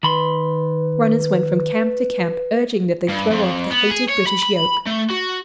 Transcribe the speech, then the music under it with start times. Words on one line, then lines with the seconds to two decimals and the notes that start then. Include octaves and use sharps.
Runners went from camp to camp, urging that they throw off the hated British yoke.
0.03 D#3 B4 B5 C6
3.09 G2
3.31 F2
3.71 B3
3.90 G#4
4.09 C#5
4.27 B5
4.43 B5
4.86 A3
5.10 F#4